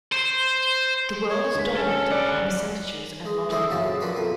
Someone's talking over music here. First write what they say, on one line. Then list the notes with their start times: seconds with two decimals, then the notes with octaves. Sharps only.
The world is dominated by percentages and lottery.
0.12 C5
1.30 C#5
1.55 D2 G#3 B6
1.76 C#4 A4
2.11 G3 D5 F#5
3.25 G#3
3.50 E3 A3 D4 E4 C5 D#5
3.70 A#1 F#2 C#3 F#4 A5
4.01 F3 A#3 D4 F#4 B4
4.16 F2 B2 B4